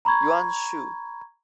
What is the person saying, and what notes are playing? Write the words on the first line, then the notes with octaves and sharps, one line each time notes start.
Yuan Shu.
A#5 B5 C#6 G#6